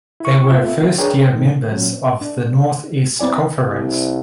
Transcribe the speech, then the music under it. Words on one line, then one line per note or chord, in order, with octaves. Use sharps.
They were first year members of the Northeast Conference.
E4 C#6
A3 B3 C4 F4 E5
D4 G#4 A#4 B4 C#5 G5
A2 D#3
A#2 F#3 C#4
D4
B3 C4 E4 D5 G#5
C2